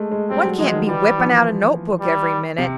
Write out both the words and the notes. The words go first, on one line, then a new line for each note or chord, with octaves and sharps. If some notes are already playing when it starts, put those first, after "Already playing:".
One can't be whipping out a note-book every minute.
Already playing: G#3 A3
G#3
G3 C4
F#3
F3 G#3
D#3
E3 G3
F3
E3
G3
C3